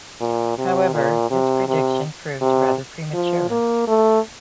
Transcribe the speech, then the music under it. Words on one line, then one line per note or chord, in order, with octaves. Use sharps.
However, this prediction proved rather premature.
A#2
C3
A#2
C3
C3
C3
F3
A#3
A3